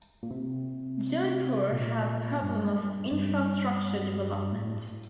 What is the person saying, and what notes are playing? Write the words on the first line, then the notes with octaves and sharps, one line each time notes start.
Jaunpur have problem of infrastructure development.
A#2
C3
A#2
G2
G2
A2